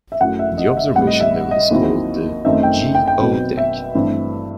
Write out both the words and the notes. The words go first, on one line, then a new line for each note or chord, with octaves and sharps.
The Observation level is called the "GeO-Deck".
E5
F#2 F#3 A3 E4 F#5
E5
D#5
E5
A2 G3 C4 F#5
D#5
E5
D#5
D#2 D#3 F#3 C4 E4
F#2 D#3 A3 C4 D#4 E5
G5
G5
G5
B2 F#3 C4 D#4
E5
G2 E3 A3 C4